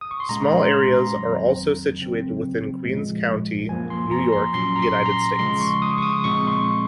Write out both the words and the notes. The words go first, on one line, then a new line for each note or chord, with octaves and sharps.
Small areas are also situated within Queens County, New York, United States.
D#6
C#6
C6
A#2 G#3 C#4 A#5
C6
C6
A#5
F2 D#3 F#3 C4
C#3 F#3 C4
A#2 F3 G#3
F#2 F3 A#3 G#5
C6
A#5
C6
A#2 F#3 C#4 C6
A#5
C6
A#5
C6
C#3 F3 G#3 C6
C#6
D#6
C#6
D#6
A#2 F3 G#3 C4 C#6
C6
C#6